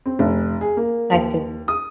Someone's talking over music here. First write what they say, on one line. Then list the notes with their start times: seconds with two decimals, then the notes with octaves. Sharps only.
I see.
0.06 C4
0.19 F1
0.61 G#4
0.77 A#3
1.12 D#2
1.68 D#6